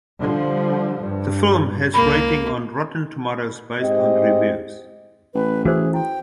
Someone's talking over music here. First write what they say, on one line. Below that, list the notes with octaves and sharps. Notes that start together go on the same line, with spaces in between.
The film has rating on Rotten Tomatoes based on reviews.
D3 F3 G3
G2
C#2 A#3 B5
G#2 C4 G4 D#5
A1 B4
E3 C#4 F#4 G#4 C5
E4 G5 C6